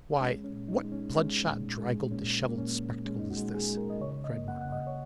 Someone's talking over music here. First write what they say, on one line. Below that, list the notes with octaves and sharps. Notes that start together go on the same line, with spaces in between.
'Why what bloodshot, draggled, dishevelled spectacle is this!' cried Mortimer.
G#3 C#4
C#4
A#2
D#4
G#3
C#4
G#3 C#4
A#2
G#3
A#2 C#4
A#2
A#3
C#4
A#2
G#3 C#4
D#4
F#4
G#3
G#4
G#3
A#4
D#5
C#3 C#5
D#5
A#3
F#5
C#3 F#5
D#5
C#5